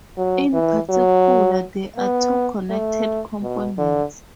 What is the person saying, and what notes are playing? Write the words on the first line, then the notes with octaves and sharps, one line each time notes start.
In particular, there are two connected components.
F#3
E3
F#3
B3
A3
B2
D3